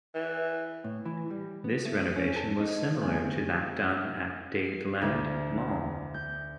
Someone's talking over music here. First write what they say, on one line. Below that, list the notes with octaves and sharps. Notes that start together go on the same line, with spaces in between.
This renovation was similar to that done at Dadeland Mall.
E3
A2
E3
G3
B3
A3
C#4
A4
D#4
D3 G3 A3 B3 C4
C7
D2
G6